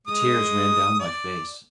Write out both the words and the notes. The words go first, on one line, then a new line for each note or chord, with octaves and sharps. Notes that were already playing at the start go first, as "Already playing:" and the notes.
The tears ran down my face.
G#3 D#6
D5